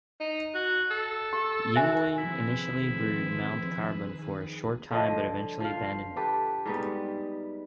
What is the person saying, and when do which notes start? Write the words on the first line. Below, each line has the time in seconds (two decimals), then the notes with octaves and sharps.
Yuengling initially brewed Mount Carbon for a short time but eventually abandoned it.
0.20 D#4
0.55 F#4
0.90 A4
1.33 G4
1.76 F#4 E5 G#5
2.18 D3 D#3 F3 C4 E4 G#4 B4
4.91 D3 F3 D#5
5.60 F3 F5
6.16 G4 A4 B4
6.65 G#2 G3 B3